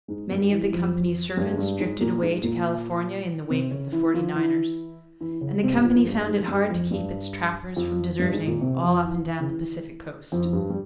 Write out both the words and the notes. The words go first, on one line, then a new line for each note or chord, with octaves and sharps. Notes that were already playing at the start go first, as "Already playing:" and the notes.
Many of the company's servants drifted away to California in the wake of the 'Forty-Niners,' and the company found it hard to keep its trappers from deserting all up and down the Pacific Coast.
G#2 G#3
G2 G3
E3
F2 F3
G2 G3
G#3
G2 G3
G#2 G#3
A#2 A#3
G#2 G#3
A#2 A#3
C3 C4
C#3 C#4
E3 E4
F3 F4
E3 E4
E3 E4
C#3 C#4
C3 C4
G2 G3
F2 F3
F2 F3
G2 G3
G#2 G#3
G2 G3
F2 F3
G2 G3
F2 F3
G2 G3
G#2 G#3
A#2 A#3
C3 C4
F2 F3
E3
E3
C#3
E3
F2 F3
F3
G2 G3
G3